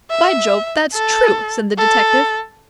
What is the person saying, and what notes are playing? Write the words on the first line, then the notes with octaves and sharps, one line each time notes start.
"By Jove! that's true," said the detective.
E5
A4
A4